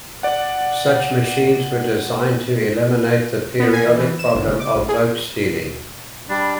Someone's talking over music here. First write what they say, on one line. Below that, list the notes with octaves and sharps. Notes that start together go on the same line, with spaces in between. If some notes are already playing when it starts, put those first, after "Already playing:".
Such machines were designed to eliminate the periodic problem of vote-stealing.
D5 F#5
B3
G#5
E3
E3
E7
G1
C#3
D6
A1
G#4
G3 D4